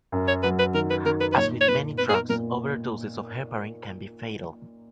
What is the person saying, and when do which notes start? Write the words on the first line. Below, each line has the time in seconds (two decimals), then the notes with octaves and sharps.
As with many drugs, overdoses of heparin can be fatal.
0.12 F#2
0.28 C#5
0.43 F#3 B4
0.59 B4
0.74 D#3 A#4
0.90 B4
1.05 D#3 A#4
1.21 B4
1.32 B4
1.37 A#2 C#5
1.61 C#5
1.68 A#2 B4
1.98 B3 B4
2.09 G#4
2.15 A#4
2.29 A#2 A#4